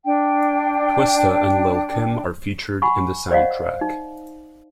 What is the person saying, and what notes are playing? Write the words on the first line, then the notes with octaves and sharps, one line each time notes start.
Twista and Lil' Kim are featured in the soundtrack.
D4 G5
F#5 G#5 B5 C#6
C5 D5 D#5 F5 F#5
D#4